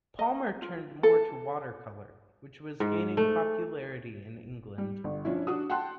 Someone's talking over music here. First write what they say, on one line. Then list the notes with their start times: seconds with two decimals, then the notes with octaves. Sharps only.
Palmer turned more to watercolour which was gaining popularity in England.
0.19 D#5
0.62 F4
1.03 A4
2.80 G#2
3.17 A3
4.78 G3
5.04 G1
5.25 F3 C#4 D4 E4
5.47 D4 F#4 D#6
5.70 F#5 G5 A5 C6 F#6